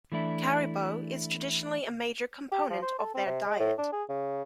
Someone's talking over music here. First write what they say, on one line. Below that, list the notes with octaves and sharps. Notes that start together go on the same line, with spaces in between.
Caribou is traditionally a major component of their diet.
E3 A3 D4 E4
G4
F3
C5
A4
C4
C3
G#3
A2
D4
G#4
C#3